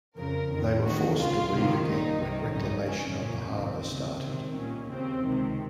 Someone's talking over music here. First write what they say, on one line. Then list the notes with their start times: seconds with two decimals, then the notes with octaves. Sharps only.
They were forced to leave again when reclamation on the harbour started.
0.16 F2 C#3 A#4
0.50 F2 D#3
0.83 D#2 D#3 F#4
1.17 C#2 C#3 F4
1.51 C#2 C3 D#3
1.84 A#1 A#2 D#4
2.18 C2 C3 D#3
2.52 G#1 F#2 C#3 D#4
2.85 F2 C#3 C#4
3.19 C2 A#2
3.52 C2 C3 D#3 C4
3.86 D#2 C#3
4.20 C#2 C3 D#3 C4
4.53 C2 A#2 C#4
4.87 D#2 C#3 C4
5.20 C#2 C3 D#3